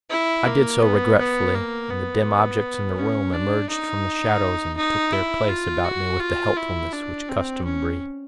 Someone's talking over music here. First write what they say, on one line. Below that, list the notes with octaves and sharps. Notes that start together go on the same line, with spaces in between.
I did so regretfully, and the dim objects in the room emerged from the shadows and took their place about me with the helpfulness which custom breeds.
E4
A#3
B3
B3
A#3
B3
C#4
D4
D#4
D#4
E4
F4
F#4
F4
E4
D4
C4
C#4